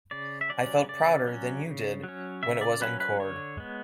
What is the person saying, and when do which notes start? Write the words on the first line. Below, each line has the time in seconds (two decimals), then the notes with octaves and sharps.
I felt prouder than you did when it was encored.
0.11 C#3 D5
0.41 E5
0.50 F#3 C#4 D5
0.88 C#3 D5
1.27 F#3 C#4
1.66 C#3
2.04 F#3 C#4
2.43 C#3 E5
2.61 D5
2.81 F#3 C#4 B4
3.00 B4
3.20 D3 C#5
3.58 G#3 B3